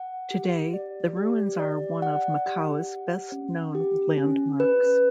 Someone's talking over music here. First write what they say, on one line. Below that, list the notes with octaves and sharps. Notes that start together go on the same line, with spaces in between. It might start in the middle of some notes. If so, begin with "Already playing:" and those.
Today, the ruins are one of Macau's best known landmarks.
Already playing: F#5
G4
D5
G4
D5
F#5
G4
F#5
C#4
G4
C#4
B4